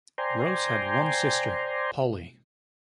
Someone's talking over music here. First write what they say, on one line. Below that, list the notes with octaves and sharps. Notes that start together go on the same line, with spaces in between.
Rose had one sister, Polly.
C5 D5 G5 G#5 A#5 C6